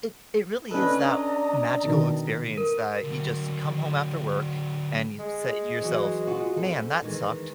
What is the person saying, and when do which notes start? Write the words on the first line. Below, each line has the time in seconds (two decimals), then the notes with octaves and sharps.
It it really is that magical experience that, you just you come home after work, and you say to yourself, "Man, that sucked.
0.71 C#4 D4 A4 B4 D#5
1.04 A#5
1.85 B2 D#3
2.58 A#4
3.03 D3 F#3
5.19 G#3
5.82 E3 F#3
6.27 F4 F#4
6.57 F#2 C4 A4
7.02 D#3 E3 G#3